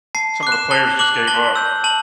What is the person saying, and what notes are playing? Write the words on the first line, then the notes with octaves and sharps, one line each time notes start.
some of the players just gave up.
A5 C7
D6 F#6
E7
A5 G7
D6 F#6 F#7
A5 G7
E6 G6
A5 F#7